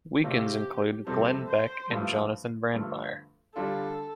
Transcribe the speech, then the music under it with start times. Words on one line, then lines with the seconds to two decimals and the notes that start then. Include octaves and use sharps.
Weekends include Glenn Beck and Jonathan Brandmeier.
0.24 C3 A3 C4 F4 G4
1.07 F2 C3 G3 C4 A4
1.48 C5
1.90 G2 F3 A3
2.73 G2 D3 F3 A3 F4
3.56 D3 G3 D4 F4 A4